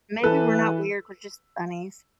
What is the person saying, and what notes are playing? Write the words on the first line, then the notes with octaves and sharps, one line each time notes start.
Maybe we're not weird, we're just bunnies.
E3 A4 B4